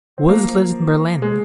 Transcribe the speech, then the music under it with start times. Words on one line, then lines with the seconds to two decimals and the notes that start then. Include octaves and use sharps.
Woods lives in Berlin.
0.18 C4
0.28 F3 A#3
1.22 G#3